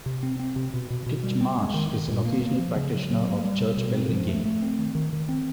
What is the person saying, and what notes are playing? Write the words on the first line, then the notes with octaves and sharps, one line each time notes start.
Titchmarsh is an occasional practitioner of church bellringing.
C3
C4
C4
C3
B2
B2
B2
G3
C4
G#3
D#3
D#3
A#2
A#3
A#3
F3
C#3
F#3
F#3
A#3
G3
B2
B2
C4
F3
A3
A3
C4
D#3
D#3
D#3
C4